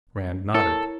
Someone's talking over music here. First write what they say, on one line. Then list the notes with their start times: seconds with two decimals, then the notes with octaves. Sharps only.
Rand nodded.
0.55 E4 A4 A#4 C#5